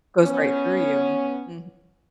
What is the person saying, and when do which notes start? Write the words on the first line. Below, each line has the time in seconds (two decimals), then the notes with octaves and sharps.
Goes right through you, mhm.
0.22 B3 C#4